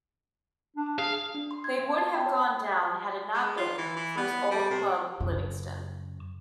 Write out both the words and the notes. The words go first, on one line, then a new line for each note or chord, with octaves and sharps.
They would have gone down had it not been, for his old club Livingston.
D4
G#4 F5
D4
C6
G#6
B3
A5
G5
C#5
G#3
F4
E3
E3
B3
G3
C3
F#2 C#3